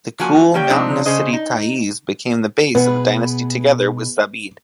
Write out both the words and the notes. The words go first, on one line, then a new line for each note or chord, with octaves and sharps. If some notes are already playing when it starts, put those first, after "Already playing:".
The cool mountainous city Ta'izz became the base of the dynasty together with Zabid.
F3 A#3 F#4 G#5
G3 A#3 G4 C#5 G5
C3 F3 G#3 C4 D4 D#4
C#3 G#4 C5 D#5
D#4
B2 B3 G#4 B4